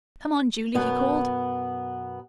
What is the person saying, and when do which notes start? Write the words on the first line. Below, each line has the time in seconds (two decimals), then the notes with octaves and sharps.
"Come on, Julie," he called.
0.75 F#2 B2 B3